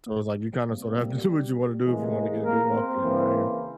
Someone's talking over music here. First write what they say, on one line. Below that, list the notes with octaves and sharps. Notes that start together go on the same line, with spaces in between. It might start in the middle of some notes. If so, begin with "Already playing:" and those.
so it's, like, you kinda sorta have to do what you wanna do if you want to get a good walk in around here.
C3 G3 A#3
G3 G4
C3 E3 G#3 A#3 G#4
A#3 A#4
C4 C5
C#3 E3 A#3